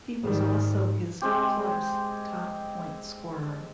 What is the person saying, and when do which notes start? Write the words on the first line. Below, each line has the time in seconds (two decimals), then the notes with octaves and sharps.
He was also his club's top point scorer.
0.21 G#2 D#3 G3
1.22 G#3 C4 G4